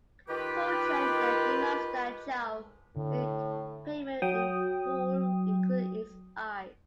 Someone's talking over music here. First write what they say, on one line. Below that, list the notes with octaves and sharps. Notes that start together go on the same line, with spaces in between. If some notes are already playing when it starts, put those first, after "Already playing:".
Ko Chun then demands that Chau make payment in full, including his eyes.
D#3 F4 G4 B4
A2 D3
F#3 G5 D#6